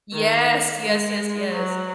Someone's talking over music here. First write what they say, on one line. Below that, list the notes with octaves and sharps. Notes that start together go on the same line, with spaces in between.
Yes, yes, yes, yes.
D#3
G#3
F#3